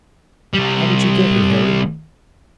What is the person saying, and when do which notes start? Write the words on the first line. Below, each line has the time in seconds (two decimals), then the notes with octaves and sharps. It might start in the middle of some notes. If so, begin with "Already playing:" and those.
How did you get here, Harry?
0.54 C2 G3